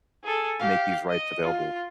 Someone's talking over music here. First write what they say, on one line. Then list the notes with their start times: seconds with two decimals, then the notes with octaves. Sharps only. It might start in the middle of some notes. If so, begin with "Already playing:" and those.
and make these rights available."
0.24 G#4 A4
0.60 G4 F5
1.09 D#5
1.43 F4